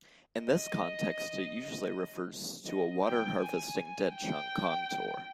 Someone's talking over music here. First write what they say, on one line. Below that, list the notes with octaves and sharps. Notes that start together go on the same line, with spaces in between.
In this context it usually refers to a water-harvesting ditch on contour.
D#5
D#5
G5
G#5
G5